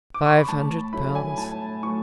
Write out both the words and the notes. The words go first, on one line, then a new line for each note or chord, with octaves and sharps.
Five hundred pounds!
D6
C#6
B5
A2 A5
F#3 A3 E4 B5
G#5
A2 A5
F#3 A3 E4 C#6